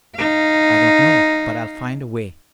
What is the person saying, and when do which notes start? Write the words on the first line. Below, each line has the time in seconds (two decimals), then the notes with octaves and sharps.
"I don't know, but I'll find a way."
0.16 D#4 F5